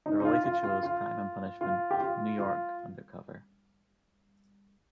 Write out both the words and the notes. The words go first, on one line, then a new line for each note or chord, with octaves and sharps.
The related shows "Crime and Punishment", "New York Undercover".
D#4
D#4
F4
F4
F4
F4
F4
G4
F4
F4